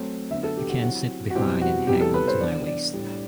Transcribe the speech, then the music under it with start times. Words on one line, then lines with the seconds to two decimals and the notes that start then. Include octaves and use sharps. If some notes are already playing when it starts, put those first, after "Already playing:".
You can sit behind and hang on to my waist.
Already playing: F#3 A3 C4
0.30 D3 F#3 B3 E5
0.43 A4
0.57 G4
0.69 F#4
0.82 F#3 C4 E4 F#4
1.30 F#4
1.35 B2 G3 C4 E4 G4
1.61 F#4
1.87 C3 G3 B3 E4 G4
2.01 A4
2.14 B4
2.28 C5
2.40 E3 B3 D4 D5
2.67 D5
2.93 A2 G3 D4